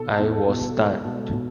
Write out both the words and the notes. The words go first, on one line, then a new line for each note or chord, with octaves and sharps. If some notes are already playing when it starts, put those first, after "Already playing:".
I was stunned.
Already playing: B2 A4
E2
B2
C#2
B2
B2